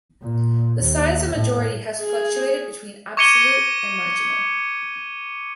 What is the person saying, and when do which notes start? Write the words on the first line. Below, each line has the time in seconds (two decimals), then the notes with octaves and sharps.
The size of majority has fluctuated between absolute and marginal.
0.22 A#2
0.81 D#2
1.32 A2
2.01 G#4
3.17 C#6 D6 G#6 C#7 D#7 G7